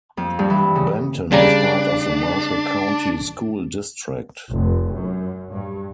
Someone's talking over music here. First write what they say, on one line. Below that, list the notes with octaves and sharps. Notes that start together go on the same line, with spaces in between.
Benton is part of the Marshall County School District.
F2
G2
E3
C#3
C#3 G3 D4 A#5
F1
F#2
G2